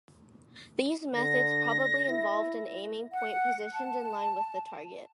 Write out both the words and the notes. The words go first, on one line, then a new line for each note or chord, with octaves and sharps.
These methods probably involved an aiming point positioned in line with the target.
D3 A#6
E4
F#5
A5